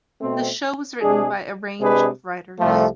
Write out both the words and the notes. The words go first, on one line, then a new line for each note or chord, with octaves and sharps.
The show was written by a range of writers.
B2 A3 C4
C3 G#3 D4 G#4
C3 G#3 D4 G#4 B4
C2 C3 F3 A3